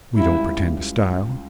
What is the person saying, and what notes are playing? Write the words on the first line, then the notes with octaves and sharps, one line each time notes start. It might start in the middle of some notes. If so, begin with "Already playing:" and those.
We don't pretend to style.
C#2 C#3 G3 E4